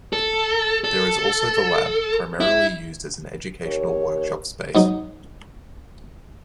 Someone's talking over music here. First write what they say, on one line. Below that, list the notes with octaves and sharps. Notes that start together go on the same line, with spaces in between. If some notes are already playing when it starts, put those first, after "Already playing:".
There is also The Lab, primarily used as an educational workshop space.
A4
A4
E4
D#2 C#5
G#2 F#3 D#4